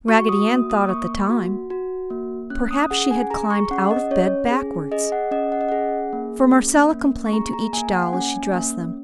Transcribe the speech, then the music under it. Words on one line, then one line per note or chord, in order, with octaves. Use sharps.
Raggedy Ann thought at the time "Perhaps she had climbed out of bed backwards!" For Marcella complained to each doll as she dressed them.
F#4 C#6
D#6
A#3
D#6
A#3 C#6
F#4
F#4
A#3
C#4 F#6
D#6
G#4 F#5
G#5
G#4 A#5
C#6
C#4 F#5
D#5
C#4 C#5
G#4
G#4 D#5
F#5
C#4 D#5
F#5
D#5
G#4 F#5
A#3
C#4
A#3
C#6
G#4 A#5
A#5
A#3 G#5
F#5
C#4 G#5
A#3